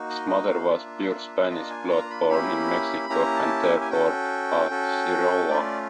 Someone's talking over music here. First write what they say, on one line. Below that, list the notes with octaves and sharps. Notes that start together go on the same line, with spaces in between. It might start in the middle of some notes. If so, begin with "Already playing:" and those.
His mother was of pure Spanish blood born in Mexico, and therefore, a criolla.
Already playing: A#3 D#4 F#4
D#5
D#5
F5
A#3 D4 F4 E5
A#3 D4 F4 D#5
G#5
A#5
B5
A#3 C#4 E4 G4 B5
A#3 C#4 E4 G4 A#5
A5
G#5
G#5
C#4 F#4 A4 G5
C#4 F#4 A4
A3 C#4 F4 D5